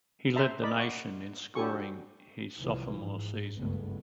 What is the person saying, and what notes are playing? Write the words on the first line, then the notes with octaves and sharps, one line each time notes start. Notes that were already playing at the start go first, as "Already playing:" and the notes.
He led the nation in scoring his sophomore season.
C5 E5 A5 A#5 C6
A#4 D5 D#5 B5
A#4 F#5 C#6
D4 F#4 G4 A4 G#5 C#6
C2 E3 F3
G#2
F#1 C#2 G2 G#3 A3 B3